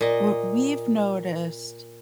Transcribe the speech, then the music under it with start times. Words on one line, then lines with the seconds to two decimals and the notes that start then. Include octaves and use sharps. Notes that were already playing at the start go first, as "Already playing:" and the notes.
what we've noticed
0.01 A#2 D#5